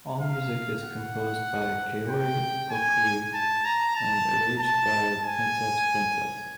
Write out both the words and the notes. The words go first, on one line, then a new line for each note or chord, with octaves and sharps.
All music is composed by Kaori Okui and arranged by Princess Princess.
F5
F#5
G5
G#5
A5
A#5
A5
A5
G#5